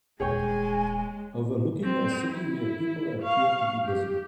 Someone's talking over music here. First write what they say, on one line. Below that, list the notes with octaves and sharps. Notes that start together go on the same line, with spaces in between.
Overlooking a city where people appear to be busy.
D#1 G#3 D4 G#4 C#5 G5 G#5
C4
E4
F5 C#6
G4